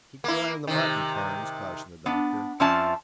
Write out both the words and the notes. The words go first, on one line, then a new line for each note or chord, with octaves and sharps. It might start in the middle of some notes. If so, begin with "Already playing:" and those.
"Keep your eye on the mutton, Carnes," cautioned the doctor.
A#3 E4
C3 D#3
B3 D4
F2 F3 C#4 D5 E5 A5